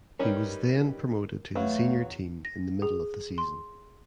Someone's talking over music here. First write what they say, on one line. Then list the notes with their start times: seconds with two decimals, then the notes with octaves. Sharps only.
He was then promoted to the senior team in the middle of the season.
0.19 G3 C#4 D#4 A#4 B4 G5
1.55 E2 F#3 A3 B4 C#5 F5
2.45 A#6
2.82 G#4
3.38 C6